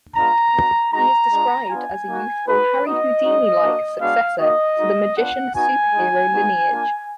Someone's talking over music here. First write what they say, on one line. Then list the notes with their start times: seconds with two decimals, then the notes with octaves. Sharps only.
He is described as a youthful Harry Houdini-like successor to the magician super-hero lineage.
0.16 G#3 B3 D4 F4 A#5
0.54 B3 D4 F#4
0.92 G#3 D#4 F#4 A#5
1.31 G#3 D4 F4
1.70 B3 D4 F4 G#5
2.08 A#3 D#4 F#4
2.47 G#3 D#4 F#4 B4
2.86 B3 D#4 F#4 D#5
3.23 G#3 D#4 F#4
3.62 A#3 D4 F#4
4.01 G#3 B3 D4 F#4 F5
4.39 A#3 D#4 F#4 D#5
4.78 G#3 D#4 F#4
5.16 B3 D4 F4 F#5
5.55 B3 D#4 F#4 G#5
5.93 G#3 D#4 F#4
6.32 B3 D#4 F#4
6.71 A#3 D4 F4